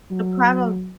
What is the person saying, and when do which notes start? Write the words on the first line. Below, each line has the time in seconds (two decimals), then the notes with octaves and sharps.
The problem
0.11 F#3